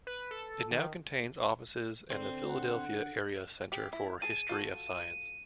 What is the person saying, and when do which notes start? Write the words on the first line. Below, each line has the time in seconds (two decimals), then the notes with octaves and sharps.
It now contains offices and the Philadelphia Area Center for History of Science.
0.07 B4
0.31 A4
0.71 D#3
2.10 D3 C4
2.48 F#5
3.72 G4 G#4
3.93 E4
4.22 G#4 G#5 A5 D#7
4.49 F4 F#4 A4